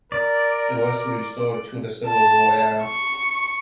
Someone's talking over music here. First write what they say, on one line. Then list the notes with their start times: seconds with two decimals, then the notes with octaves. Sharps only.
It was restored to the Civil War era.
0.12 A#4 D5
2.07 A5
2.83 C#6